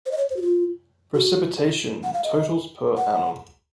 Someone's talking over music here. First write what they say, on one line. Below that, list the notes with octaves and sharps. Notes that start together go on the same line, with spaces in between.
Precipitation totals per annum.
C5
D#5
C#5
C5
F#4
F4
F#4
F#5
F5
D#5
F#5